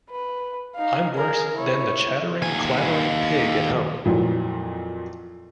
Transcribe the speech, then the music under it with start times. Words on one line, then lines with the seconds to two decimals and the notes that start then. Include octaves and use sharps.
I'm worse than the chattering, clattering pig at home!
0.10 B4
0.76 D#4 F5
1.15 G#4 A#4
1.55 E4 C#5
2.42 D#2 G#5
4.05 F2 A#2 E3 F#3